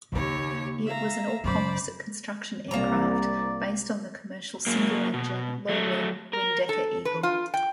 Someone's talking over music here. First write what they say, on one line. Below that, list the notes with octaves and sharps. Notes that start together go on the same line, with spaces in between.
It was an all-composite construction aircraft, based on the commercial single-engine, low-wing Windecker Eagle.
D#2 C#3 A#3 G4 C#5
E5 F5 A#5
F#2 C#3 C5 D5 B5
C2 A#3 D5 A#5
F#3 A#3
B2
F#3 A3
A#4
A4
B4
F4
G5